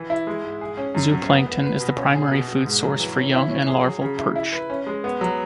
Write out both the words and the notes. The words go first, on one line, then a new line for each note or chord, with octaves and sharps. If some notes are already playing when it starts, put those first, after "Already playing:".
Zooplankton is the primary food source for young and larval perch.
Already playing: E3
E4
G#3
G#2
G#4
C#4
F#2
F#3
B3
B3
B4
B2
C#4
G#4
B2
B2
G#2
F#3
E3
C#4
E4
C#5
G#4
F#3
C#3
E4
E4
B4
C#4
G#3
B3
F#3